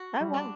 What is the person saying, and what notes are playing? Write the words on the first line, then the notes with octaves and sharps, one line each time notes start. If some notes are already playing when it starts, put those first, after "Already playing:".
Oh, wow.
Already playing: F#4
G3
D4